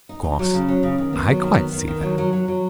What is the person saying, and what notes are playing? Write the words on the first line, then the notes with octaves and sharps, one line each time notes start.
Of course I quite see that.
D#4
D#4
F#3
C#3
F#3
C#3
D#3
B3
F#3
D#3
B3
D#3
D#3
F#3
F#3
F#3
F#3